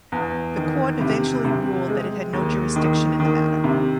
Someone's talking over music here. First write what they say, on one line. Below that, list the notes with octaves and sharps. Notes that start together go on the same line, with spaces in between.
The court eventually ruled that it had no jurisdiction in the matter.
E2
D#3
C3
C3
G#3
D#2
D#3
D#3
C3